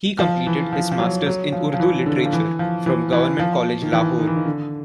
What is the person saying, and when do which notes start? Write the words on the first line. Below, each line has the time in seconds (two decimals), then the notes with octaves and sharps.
He completed his Masters in Urdu literature from Government College Lahore.
0.19 F3
0.47 E3
0.73 F3
0.91 F3
0.99 F#3
1.26 F#3
1.52 F3
1.73 F3
1.80 E3
2.06 D3
2.25 F3
2.33 E3
2.59 F3
2.86 E3
3.13 E3
3.39 F3
3.82 D#3
3.93 E3
4.19 D#3
4.27 E3
4.36 D#3
4.46 D3